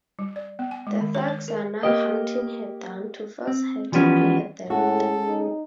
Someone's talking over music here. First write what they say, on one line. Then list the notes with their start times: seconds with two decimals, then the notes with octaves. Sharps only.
The thugs are now hunting her down to force her to pay her debt.
0.19 G3
0.36 D5
0.59 B3
0.71 G#5
0.87 G#3
1.01 D#3
1.15 C#5
1.28 C#5
1.48 A#4
1.83 A#3 G4 D#5
3.47 C4
3.92 E3 F3 G3 B3 C#4
4.70 A2 G#3 C#4 F#4 G#4 A4
5.28 D#4